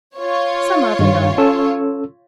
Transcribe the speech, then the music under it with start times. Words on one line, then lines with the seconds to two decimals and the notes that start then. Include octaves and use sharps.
"Some other night."
0.17 F4 C#5
0.99 G2 D#3
1.38 C#4 A4 E6